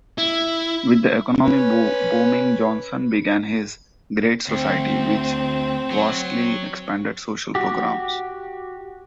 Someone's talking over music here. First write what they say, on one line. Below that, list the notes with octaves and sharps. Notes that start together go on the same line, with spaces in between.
With the economy booming Johnson began his "Great Society" which vastly expanded social programs.
E4
C#4 B4
D2 C4
F#3
F#4 G4